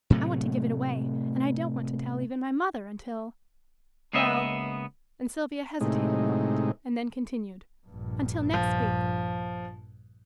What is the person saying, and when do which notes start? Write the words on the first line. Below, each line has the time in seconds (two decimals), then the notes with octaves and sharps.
I want to give it away, and I don't want to tell even my mother until--well," and Sylvia hesitated a moment, and then continued, "until next week.
0.10 A2 C3 F#3 A3
4.13 C#2 A#3 B3 D#5 E5
5.81 A2 C3 G#3 D#4
7.87 A#1 G2
8.54 F3